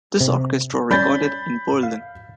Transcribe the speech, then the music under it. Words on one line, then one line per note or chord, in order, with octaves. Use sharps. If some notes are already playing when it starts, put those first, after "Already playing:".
This orchestra recorded in Berlin.
C3
G3 C#4 B5 G6 A6
F5